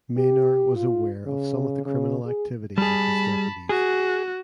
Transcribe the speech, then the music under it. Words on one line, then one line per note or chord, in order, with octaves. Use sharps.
Maynor was aware of some of the criminal activity of his deputies.
G4
F4
C#3
C#3
G#4
G3 G#4 A5 B5
F#4 G#4